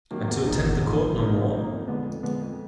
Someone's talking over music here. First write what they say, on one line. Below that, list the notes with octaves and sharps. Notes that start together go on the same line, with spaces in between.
And to attend the court no more?
C3 D#3 F#3 A#3
E2
C#3 F3 A#3 D#4
E2
C#3 F3 A#3 D#4
F#2
C#3 F3 A#3 D#4
F#2
C#3 F3 A#3 D#4
F2
D3 F3 G#3 B3
F2
D3 F3 G#3 B3
F2